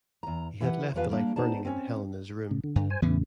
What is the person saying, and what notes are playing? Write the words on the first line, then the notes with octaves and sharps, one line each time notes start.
He had left the light burning in Helene's room.
E2 A#5
E3 G4 B4 F#5
E2 F3 G4 B4 F5
G3 A#3 D4
B3 D#4 G#4 C5 D5 A5
C4 C#4
A2 C#3
D3
G2
C5 G#5
E2 A2 C#3 E3 B3 C#4